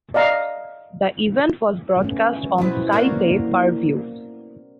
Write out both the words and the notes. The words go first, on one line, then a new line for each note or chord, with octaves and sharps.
The event was broadcast on Sky Pay per view.
D5 D#5 F5 A#5
A3 B3 C#4
B2 E4 F#4 B4 C5
A#3 B3 E4 F#4 A#4 D5